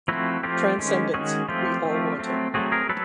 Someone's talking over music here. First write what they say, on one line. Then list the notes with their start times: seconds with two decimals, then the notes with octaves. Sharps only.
Transcendence, we all want it.
0.08 F3 A3 C4 E4 F#4
0.43 F3 A3 C4 F4 G4
0.78 D#3 G#3 C#4
1.14 D#3 G#3 C#4 F#4 G#4
1.49 F3 A3 C4 F4 G4
1.85 F3 A3 C4
2.19 F#3 A3 C4
2.54 F#3 A3 C4 F#4 G#4
2.72 G#4 A#4
2.89 F#3 A4 B4